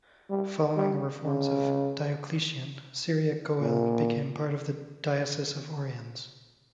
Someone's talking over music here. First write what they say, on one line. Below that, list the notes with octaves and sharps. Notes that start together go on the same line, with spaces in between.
Following the reforms of Diocletian, Syria Coele became part of the Diocese of Oriens.
G3
G3
C#3
A#2